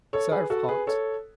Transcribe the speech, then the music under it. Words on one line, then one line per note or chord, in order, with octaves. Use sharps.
Serve hot.
A4 C#5
G#4 B4
F#4 A4
G#4 B4
A4 C#5